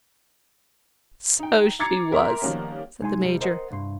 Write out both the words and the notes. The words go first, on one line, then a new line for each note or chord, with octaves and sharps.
"So she was," said the Major.
D#4 G5
A#5 D6 G#6 A6 C7 C#7
A#4 E5 A#5 C6
D#3 F3 G3 A#3 B3 C#4
C2 G#3 D#4 C5 G#5 C6
C2 G3
A#4 C5 D#5 F5 F#5
C2 G2 C6